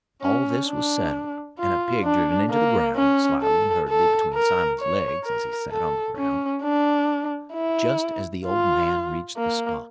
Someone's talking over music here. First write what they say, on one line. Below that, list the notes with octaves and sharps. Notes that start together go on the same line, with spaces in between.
All this was settled, and a pig driven into the ground, slyly and hurriedly, between Simon's legs as he sat on the ground, just as the old man reached the spot.
C#4
D4
F4
D4
A#3
C#4
A4
A4
A#4
C#5
A#4
A4
C#4
D4
E4
F4
A#3